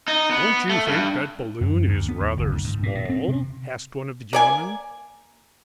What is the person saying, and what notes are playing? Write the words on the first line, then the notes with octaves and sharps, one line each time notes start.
"Don't you think that balloon is rather small?" asked one of the gentlemen.
D#4
B3
A3
G2
F#2
D2
B3
D#2
F#1
D2
G#2
A#2
A#2
C4
C3
A#3 D5 G#5